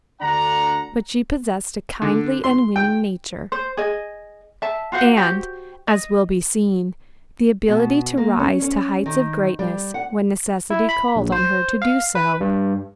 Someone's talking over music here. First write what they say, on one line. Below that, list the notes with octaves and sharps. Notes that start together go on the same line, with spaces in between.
But she possessed a kindly and winning nature, and, as will be seen, the ability to rise to heights of greatness when necessity called on her to do so.
D2 D3 D4 F#5 A#5
D3
C6
G5
C5
G#4 D#5
E5 A5
F4 F#4 C5 F#5
F#4 G4 C5
D#5
B2
A#3
C#4
C#4
D#3
G3
F#5
E4
B5
A#1
C5
F5
B4
G2